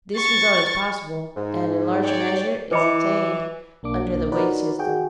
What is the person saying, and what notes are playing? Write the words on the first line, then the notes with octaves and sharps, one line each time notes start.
This result is possible and in large measure is attained under the wage system.
C#6 A6
G#2
C#5 D5 G5
E3 E4 B4 C5 D#5 B5 D6 C#7
B1 A#3 D4 D6
D#4 F#4 A#4 B4 C#5 D5
F#4 G#4 G5